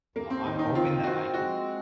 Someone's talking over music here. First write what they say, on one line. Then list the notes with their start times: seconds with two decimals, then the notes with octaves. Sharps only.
uh, I'm hoping that I can
0.16 D#2 A#3
0.30 C4
0.45 D#3 D#4
0.59 D#4
0.74 C4 F4
1.04 C4 F#4
1.34 G#3 F#4